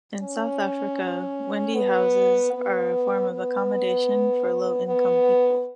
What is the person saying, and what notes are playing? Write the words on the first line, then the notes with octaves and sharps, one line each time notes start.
In South Africa, Wendy houses are a form of accommodation for low-income people.
C#4
B3
B3
B3
B3